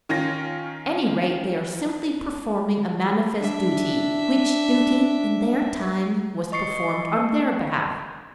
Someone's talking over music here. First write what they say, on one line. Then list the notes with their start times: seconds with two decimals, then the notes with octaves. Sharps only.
At any rate, they are simply performing a manifest duty, which duty, in their time, was performed on their behalf.
0.09 D#3 C#4 F4 A#6
3.37 D4 E5
6.52 D#5 C#6 C7 C#7